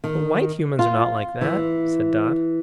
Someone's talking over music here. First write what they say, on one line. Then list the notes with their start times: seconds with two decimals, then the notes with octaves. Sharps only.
"But white Humans are not like that," said Dot.
0.04 D#3
0.79 F4
1.41 E3